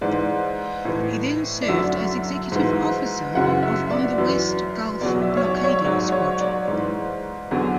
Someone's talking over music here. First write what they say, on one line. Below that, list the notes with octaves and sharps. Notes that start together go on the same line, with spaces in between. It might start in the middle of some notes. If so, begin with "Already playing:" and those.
He then served as executive officer of on the West Gulf Blockading Squadron.
G#2 E3 D5
A2 E3
D5
F#2 D3 F#3 E5
G#2 E3
F#2 C#3 E3 F#5
E5
D5
F#2 E3
E2 B2 F#3 D5
E5
C#5
D5
C#5
G#2 F#3 D5
C#5
D5
G#2 E3
E2 D3 F#3